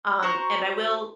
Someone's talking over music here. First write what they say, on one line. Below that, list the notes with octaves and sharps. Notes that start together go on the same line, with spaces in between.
um, and I will
F#4 C5 A#5 C#6